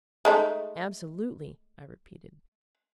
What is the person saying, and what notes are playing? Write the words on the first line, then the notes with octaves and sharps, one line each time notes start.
"Absolutely!" I repeated.
G#3 A3 D#4